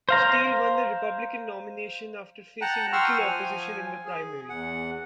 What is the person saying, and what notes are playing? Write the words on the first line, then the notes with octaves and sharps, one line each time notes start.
Steele won the Republican nomination after facing little opposition in the primary.
C5 F5 A#5
F#5 G5 A5 A#5 F#6
F#5 G5 C6 C#6 E6 F6
F3 G#5
G#4
E2 F#5